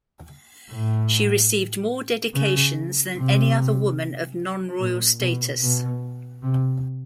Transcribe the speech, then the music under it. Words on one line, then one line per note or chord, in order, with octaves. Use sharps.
She received more dedications than any other woman of non-royal status.
A2
C#3
C3
A#2
B2
B2
C3